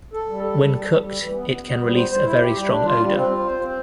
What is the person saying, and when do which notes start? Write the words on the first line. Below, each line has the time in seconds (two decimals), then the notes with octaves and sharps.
When cooked, it can release a very strong odor.
0.13 A4
0.29 G3
0.44 A4
0.59 G3
0.74 G3
0.89 G3
1.04 G3
1.19 E3
1.34 B3
1.49 B3
1.64 B3
1.79 G3
1.94 C5
2.10 C5
2.24 E4
2.40 G4
2.55 G3
2.70 D4
2.85 F4
3.00 G3
3.16 C4
3.30 F4
3.45 C5
3.61 C4